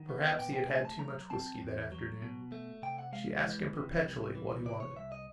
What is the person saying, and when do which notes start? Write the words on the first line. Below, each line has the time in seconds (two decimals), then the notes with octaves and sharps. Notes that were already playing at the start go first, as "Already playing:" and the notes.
Perhaps he had had too much whisky that afternoon. She asked him perpetually what he wanted.
Already playing: D#3 F#5
0.09 B3
0.39 A#2 G5
0.53 G5
0.69 A3 G#5
0.85 A5
0.99 F#3 A#5
1.30 C4 A5
1.61 E2
1.92 F#3
2.22 B2
2.52 A3
2.83 C3 G5
2.98 F#5
3.13 G#3 F5
3.44 E3
3.73 C3
4.04 C2
4.35 E3
4.65 C3 D5
4.80 C#5
4.96 C2 E5
5.12 D#5